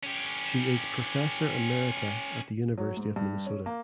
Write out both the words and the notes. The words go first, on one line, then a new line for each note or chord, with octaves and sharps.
She is Professor Emerita at the University of Minnesota.
C#4 G4
F#3
G#2
G2
C#4
A#3